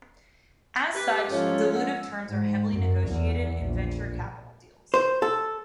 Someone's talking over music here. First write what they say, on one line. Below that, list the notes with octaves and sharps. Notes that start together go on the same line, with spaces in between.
As such, dilutive terms are heavily negotiated in venture capital deals.
G4 B4
G#2 F3 C#4 F4 A4 C#5
F#5 E6
G#2
F#2
E2
A#1
C5
A4